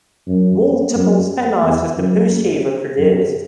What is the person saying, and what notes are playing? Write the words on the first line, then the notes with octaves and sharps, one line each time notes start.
Multiple spin-offs of the Poo-Chi were produced.
F#2
F#2
E2
F#2
F#2